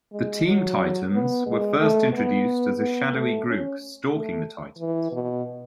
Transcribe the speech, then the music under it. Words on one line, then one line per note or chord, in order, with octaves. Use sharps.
The Team Titans were first introduced as a shadowy group stalking the Titans.
G#3
F#3
B3
G#3
A3
B3
B3
A3
C#4
A3
E3
B2